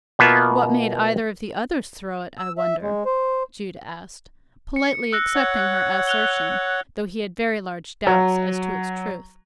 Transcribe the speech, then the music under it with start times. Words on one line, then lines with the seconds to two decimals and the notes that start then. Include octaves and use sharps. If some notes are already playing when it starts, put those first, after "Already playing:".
"What made either of the others throw it, I wonder?" Jude asked, politely accepting her assertion, though he had very large doubts as to its truth.
0.19 B2 A#3 B3 F4 E5
2.39 E6
2.58 E5
2.82 G#3
3.06 C5
4.76 C#7
5.13 E6 F#6 A#6
5.35 C#5 F#5
5.74 C#7
6.07 F#6 F7 G7
8.07 F#3